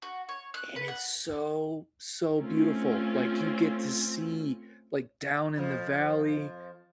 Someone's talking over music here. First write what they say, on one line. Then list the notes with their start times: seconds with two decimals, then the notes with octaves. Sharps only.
and it's so, so beautiful. Like, you get to see, like, down in the valley,
0.02 F#4
0.29 C#5
0.54 F#6
0.76 B4
0.88 F#5
2.37 A3 C4 C#4 F4
5.57 F2 F3